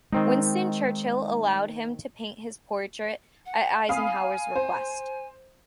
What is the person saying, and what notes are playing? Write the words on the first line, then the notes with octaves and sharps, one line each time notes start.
Winston Churchill allowed him to paint his portrait at Eisenhower's request.
D#3 G#3 C4 D#4
F#5
F5 G#5 B5 D#6
C5